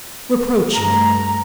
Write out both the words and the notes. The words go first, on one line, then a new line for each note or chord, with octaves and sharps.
Reproach me.
G2 A3 A#5